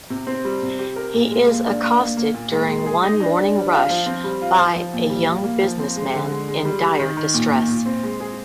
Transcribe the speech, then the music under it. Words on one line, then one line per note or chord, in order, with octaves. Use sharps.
He is accosted during one morning rush by a young businessman in dire distress.
C3
C4
G3
C3
G4
A#4
A#2
G#3
A#3
D4
A#3
A#3
A#3
A#2
G#3
G#3
G#4
D#4
D4
D4
G3
F4
F3
C4
G3
F4
F3
F3
A#2
G3
F4
A#3
F3
C4
G#3
D3
G#3
G#3
G3
G3
D#3
D#3
A#2
A#2
A#2
C4
G#3
G#4